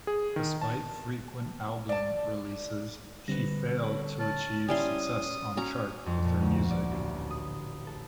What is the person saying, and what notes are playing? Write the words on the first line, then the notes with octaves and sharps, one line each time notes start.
Despite frequent album releases, she failed to achieve success on charts with her music.
G#4
D#3
A5
D5 A5
D3 G3 C4 B4 A#6
A4 C#5
C#5 A5 F6
G3 C#4 E4 G#5 C6 D#6
C#4 F#4 A#5
F2
A#2
D2
F#4
D5
A1
D#6
A4